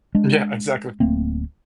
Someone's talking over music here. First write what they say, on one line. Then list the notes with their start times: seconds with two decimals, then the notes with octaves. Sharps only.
Yeah, exactly.
0.15 G#3 D4
1.00 D1 A3 A#3 C4